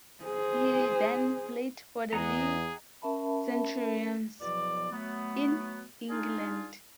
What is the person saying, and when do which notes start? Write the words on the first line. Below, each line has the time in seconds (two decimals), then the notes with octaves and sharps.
He then played for the Leigh Centurions in England.
0.25 G#4 C5
2.13 E2 G#4 D#5 F#5 A#5
3.02 C#4 A#4 E5 A5 B5
4.41 E2 B2 F3 F#3 D5
4.92 F#3 A3 B3
6.10 D4 D#4 F4 G#4